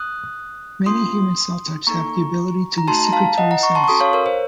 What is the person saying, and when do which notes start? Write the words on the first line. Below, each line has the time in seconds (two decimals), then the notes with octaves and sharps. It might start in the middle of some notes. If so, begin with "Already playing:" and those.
Many human cell types have the ability to be secretory cells.
Already playing: D#6 F#6
0.86 A#3 C#4 F4 C6 D#6
1.87 A#3 D#4 A4 A#5 C#6
2.78 A#5
2.88 A3 D#4 F#4 A5 C6
3.05 A#5
3.13 F5 A5
3.38 D#5 F#5
3.51 F#5 A#5
3.63 A#5 C#6
3.75 A5 C6
3.84 C#6
3.88 C#4 F#4 A4 C6 D#6
4.00 C#5 F5
4.13 A#4 C#5
4.26 C5